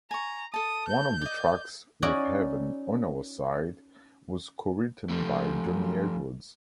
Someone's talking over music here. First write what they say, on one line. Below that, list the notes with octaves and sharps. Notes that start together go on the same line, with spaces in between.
One of the tracks, "With Heaven On Our Side", was co-written by Johnny Edwards.
G#5 A#5 C#6
A4 A5 D#6
G6
D5 D#5
C#4 D#4 E4 F#4 D5 G#5
F3 A3